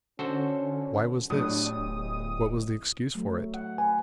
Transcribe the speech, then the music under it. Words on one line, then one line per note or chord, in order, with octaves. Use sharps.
Why was this? What was the excuse for it?
D3 C#4 F#4 A4 C5
E2 A2 F#3 D4 G4 D#5 D#6
D1
F#3 A3
F#5
B4 G#5